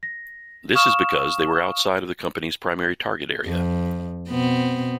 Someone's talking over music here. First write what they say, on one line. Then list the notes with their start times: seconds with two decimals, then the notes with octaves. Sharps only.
This is because they were outside of the company's primary target area.
0.03 A#6
0.75 F5 C#6 D#6 F6 E7
3.45 F2
4.29 B2 B3 C4